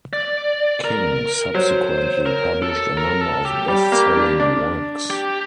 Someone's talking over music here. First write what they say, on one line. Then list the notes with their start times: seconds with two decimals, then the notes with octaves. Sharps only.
King subsequently published a number of best-selling works.
0.13 D5
0.84 A#4
1.54 F#3 C5
2.26 A#4
2.62 A4
2.97 A#4
3.21 A4
3.45 G4
3.68 G3 G4
3.92 A#3
4.16 D4
4.40 D4
5.10 G4